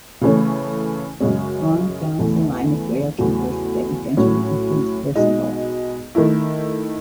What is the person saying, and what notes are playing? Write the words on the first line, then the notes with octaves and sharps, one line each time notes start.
Bron founds the line of Grail keepers that eventually includes Perceval.
C#3 E3 A3 C#4
F#2 C#3 G#3 C#4
E2 C#3 E3 A3
E2 C#3 F#3 A3
A2 F#3 C#4
B2 G#3 D#4
D#3 A3 E4